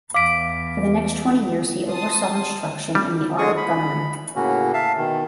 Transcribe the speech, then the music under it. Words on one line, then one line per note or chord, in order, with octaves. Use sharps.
For the next twenty years he oversaw instruction in the art of gunnery.
E2 F5 D6 B6 D7
A5 C6 D#6
G3
D3 G#3 G#4 C#6 D#6
B5
A2 C#3 A#3 C#4 F#4
E5 F5 A5
B2 D#3